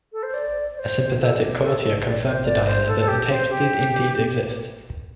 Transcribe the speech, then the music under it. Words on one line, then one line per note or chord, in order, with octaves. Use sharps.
A sympathetic courtier confirmed to Diana that the tapes did indeed exist.
A4
C5
D5
D5
C5
A4
G4
A4
A4
D5
C5
D5
C5
A4
A4
G4
C5
G4